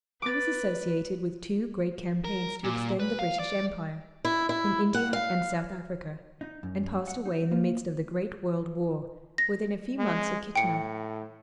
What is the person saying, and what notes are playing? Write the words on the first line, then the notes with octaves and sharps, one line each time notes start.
He was associated with two great campaigns to extend the British Empire--in India and South Africa--and passed away in the midst of the great World War, within a few months of Kitchener.
B4 D6 A6
A#4
A#2
B4
F5
D5
E4
E4
F#5
F5
D#4
F#2
F#5
D#4
A#3
A#6
G#3
A2 G5 C#7